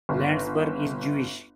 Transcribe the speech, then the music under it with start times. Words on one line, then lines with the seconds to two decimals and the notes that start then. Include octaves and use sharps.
Landsberg is Jewish.
0.09 G1